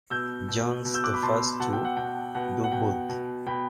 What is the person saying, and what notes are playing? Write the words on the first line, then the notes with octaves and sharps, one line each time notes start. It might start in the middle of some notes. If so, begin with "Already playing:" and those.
John's the first to do both.
B2 E6 G6
B2
B2
E6 G6
D6 F#6
B5 D6
B2 A5 C6
B2 F#5 A5
G5
F#5
B2 G5
B2 F#5
F#5
B2 G5
B2
B2 G5 B5